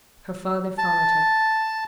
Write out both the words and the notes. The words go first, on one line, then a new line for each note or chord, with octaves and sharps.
Her father followed her.
A5